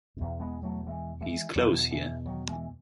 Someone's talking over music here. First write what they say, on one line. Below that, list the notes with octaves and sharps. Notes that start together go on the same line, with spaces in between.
He's close here.
E2 B2
G#3 B3
F#3 A3
E3 G#3
E3 G#3
E2 B2 D#3 F#3
E3
D#3 F#3
E3 G#3